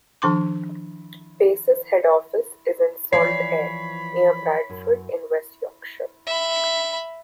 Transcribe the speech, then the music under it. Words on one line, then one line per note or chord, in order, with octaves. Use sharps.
Pace's head office is in Saltaire, near Bradford in West Yorkshire.
D#3 F3 D4 C6 D6
E3 F3 C#5 D5 B5 C7
F#2
E5 B5